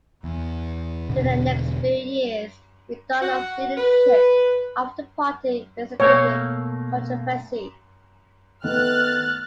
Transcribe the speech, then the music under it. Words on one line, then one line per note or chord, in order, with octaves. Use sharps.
During the next few years, McDonough's leadership of the party elicited controversy.
E2
E1 B2 D3 C4
F#4
B4
B2 A3 A#3 C#5
D#3 A3 B3 F6 F#6 A6